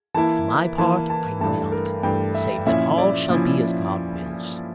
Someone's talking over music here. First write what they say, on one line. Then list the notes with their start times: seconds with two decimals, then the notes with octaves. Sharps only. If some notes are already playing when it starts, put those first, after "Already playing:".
For my part, I know not, save that all shall be as God wills.
0.14 E3 A#3 E4 A5
0.78 E3 A#3 E4 A5
1.10 A5
1.40 G2 E3 A3 A5
1.72 A#4
2.03 G2 E3 A3 G5
2.35 E5
2.66 A#2 F3 C#4 E4 E5
2.98 D5
3.29 A#2 F3 C#4 E4